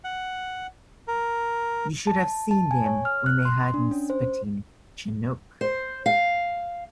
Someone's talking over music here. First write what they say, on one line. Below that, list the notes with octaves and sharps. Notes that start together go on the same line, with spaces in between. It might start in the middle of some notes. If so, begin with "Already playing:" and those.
You should have seen them when they heard me spitting Chinook.
F#5
A#4
A5
A5
G#5
C#5
F6
F#6
C6
D4
C#4
C5
C5
F5